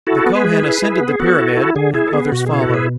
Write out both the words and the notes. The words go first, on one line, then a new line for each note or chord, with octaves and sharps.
The Kohen ascended the pyramid, and others followed.
E4 F#4 A4
B3
G#4 B4
G#3
E4
E4
B3
G#4
B3 F#4 A4
E4
E4
D3 G#4
E4 G#4
A4
B3 G#4
B2 F#4
E4 G#4
F#4 A4
B2 G#4 B4